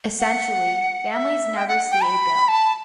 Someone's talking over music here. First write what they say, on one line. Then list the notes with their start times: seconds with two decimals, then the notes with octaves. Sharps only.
Essentially, families never see a bill.
0.20 F#5
1.11 E5
1.57 G5
1.68 F#5
1.91 G5
2.03 B5
2.48 A5